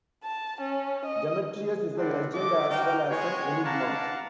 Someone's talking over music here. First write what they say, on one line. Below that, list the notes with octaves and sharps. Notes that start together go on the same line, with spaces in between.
Demetrius is a legend as well as an enigma.
A5
C#4
D#5
C4 D4 F4 B4 D5 F#5
A3 F4 A4 D#5 D6
D#4 F#4 F5 G5
G#3 B3 F#4 C#5 G#5
D4 F5 F#5 A5 A#5